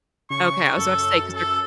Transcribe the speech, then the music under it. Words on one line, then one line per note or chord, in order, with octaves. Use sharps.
Okay, I was about to say, 'cause they're
C#3 C#6
F#2 A4
A4